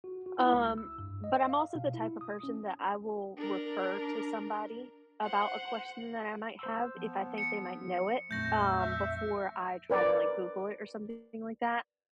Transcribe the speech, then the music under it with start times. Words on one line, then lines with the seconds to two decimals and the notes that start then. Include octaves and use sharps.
um, but I'm also the type of person that I will refer to somebody about a question that I might have if I think they might know it, um, before I try to, like, Google it or something like that,
0.04 F#4
0.26 F#4
0.39 E4
0.53 C#2
0.78 E6
0.98 G2
1.24 D#5
1.49 F5
1.75 B2
1.94 E4
2.21 D#6
2.43 C#4
3.37 D4 A#4
5.23 C5 F#5
6.59 C5 E6
6.96 F3 B3
7.38 C#7
8.31 A#1 F2 A3 G6 A#6
8.79 E5
9.90 A#4 B4 D5